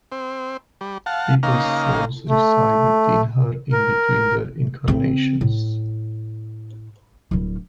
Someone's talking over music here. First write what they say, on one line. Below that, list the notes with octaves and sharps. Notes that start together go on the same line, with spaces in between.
People's souls reside within her in between their incarnations.
C4
G3
F5 F#5 A5
C#3 A#3 D#4 F5 A#5
A3
A#4
C#3 C4
A2
D1 G3